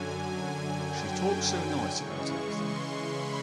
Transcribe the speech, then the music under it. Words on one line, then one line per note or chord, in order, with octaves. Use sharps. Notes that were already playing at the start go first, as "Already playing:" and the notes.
She talked so nice about everything.
Already playing: F#2 D3 F#3 G#5
G5
C#3 E3 G#3 C#6
C6
B5